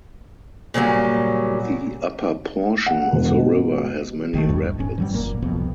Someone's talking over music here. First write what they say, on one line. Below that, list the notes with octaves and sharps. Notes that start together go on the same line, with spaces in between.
The upper portion of the river has many rapids.
A#2 C#3 F#3 G3
F#5
E1
B2
A#1 D#3 F3 A3
D#1 E2 G2 G3
D1 G#2 C#4
E3 F#3 G3
F#1 A#2 A#3
C2 F2 B2